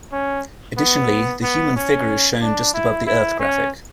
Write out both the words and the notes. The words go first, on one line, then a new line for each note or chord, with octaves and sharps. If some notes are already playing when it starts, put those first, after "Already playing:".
Additionally, the human figure is shown just above the Earth graphic.
C#4
B3
B3
C#4
D4
E4
E4
C#4